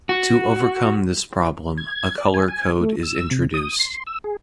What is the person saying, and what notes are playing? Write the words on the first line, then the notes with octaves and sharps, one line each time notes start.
To overcome this problem, a color code is introduced.
F#4
G#6
D5
G#5
G#5
A3
E6
C3
D#6
C6
E6
G#4